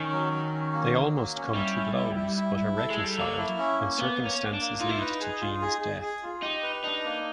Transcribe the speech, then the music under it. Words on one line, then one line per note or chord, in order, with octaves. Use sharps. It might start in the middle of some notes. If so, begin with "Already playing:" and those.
They almost come to blows but are reconciled when circumstances lead to Jean's death.
Already playing: D#3 C#4
F#3
F#3
C#4
A#3
F#3
A#3
C#4
G3 E4
E4
E4
E4
E4
E4
A4
G#3
A4
G3
F#3 A#3
E4
C#4
A#3
A#3 B3
A#3
C#4
A#3
D4
A#3
D#4 F4
E4
D#4 B4
G#4
F4
G#4
G#4
G#4
F4
D#4 G4
B4
D4 D#4
A#3